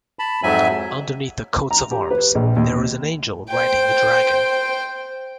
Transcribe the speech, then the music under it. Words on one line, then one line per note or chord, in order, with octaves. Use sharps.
Underneath the coats of arms, there is an angel riding a dragon.
A5 B5
F2 G#2 F#3 E5 G#5
A#5
G4
B4
A#1
D#2
C5 G5